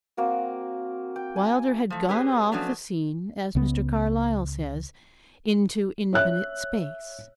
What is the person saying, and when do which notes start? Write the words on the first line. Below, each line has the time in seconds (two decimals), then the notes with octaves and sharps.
Wylder had gone off the scene, as Mr. Carlyle says, into infinite space.
0.17 A#3 C4 F#4
1.16 G5
1.36 G#5
1.90 F3 A3
2.09 C4 G4 G#4 B4 C#5
2.52 F3 F#3 A3 B3 C#4 D4
3.55 C#2 C#3 B3
6.13 C#5 E5 F#6